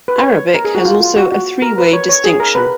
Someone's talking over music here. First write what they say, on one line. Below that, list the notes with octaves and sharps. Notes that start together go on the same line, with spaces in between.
Arabic has also a three-way distinction.
B4
C#5
A#4
G#4
F#4
F4
F4
F#4
F#4
A#4
B4
C#5
C#5
G#4
A#4
B4